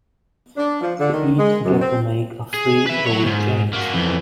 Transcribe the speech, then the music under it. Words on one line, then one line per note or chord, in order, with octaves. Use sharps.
The each get to make a free rule change.
D4
F3
D3
D#3
G#3
F#2
C4
G#4
B4 E5
F#3 C#5
D#2 G#2
A#3 F#4
F2 E3